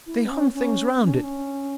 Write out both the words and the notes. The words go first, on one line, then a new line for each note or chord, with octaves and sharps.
They hung things round it.
E4
B3
C#4
C#4
C#4
D4
C#4